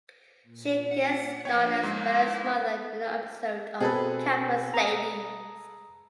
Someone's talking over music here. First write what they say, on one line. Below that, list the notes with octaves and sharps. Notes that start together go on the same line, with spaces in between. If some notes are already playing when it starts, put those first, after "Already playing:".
She guest starred as Barri's mother in an episode of "Campus Ladies".
A#2
F#5
F3 A#3 B3 D4 C#5 F5 G5
G#2 A5 F6
E4
B2 C4 G#4 A4 B4 G#5
A#5 D#6